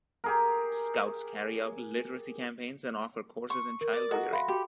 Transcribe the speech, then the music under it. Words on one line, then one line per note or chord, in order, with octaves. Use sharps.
Scouts carry out literacy campaigns and offer courses in childrearing.
G4 G#4 A#4
C6 C#6
A#4
D5
F#4 A4 D#5 A#5
E5 F5 B5 C6
F#4 G4 G5